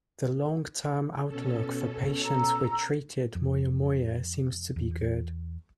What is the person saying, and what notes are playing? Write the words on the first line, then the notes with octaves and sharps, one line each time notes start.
The long term outlook for patients with treated moyamoya seems to be good.
B2 C#4 A4
A#5 E6
F2
E2